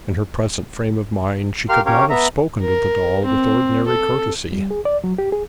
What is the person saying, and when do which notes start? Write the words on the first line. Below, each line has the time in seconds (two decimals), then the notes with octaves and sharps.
In her present frame of mind she could not have spoken to the doll with ordinary courtesy.
1.69 G4 A#4 F5 C6 F6
1.86 C#4 G4 A#4 C#5 F5
2.10 B3 E5 A#5
2.62 A#4
3.24 C4
3.87 A4
4.52 G3
4.71 G#4
4.85 D5
5.04 F#3
5.18 G4
5.32 G#4